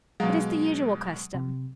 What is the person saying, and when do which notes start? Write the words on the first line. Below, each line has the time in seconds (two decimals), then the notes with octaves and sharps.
'It is the usual custom.'
0.20 B2 F#3 G#3 F5 A#5
1.34 C3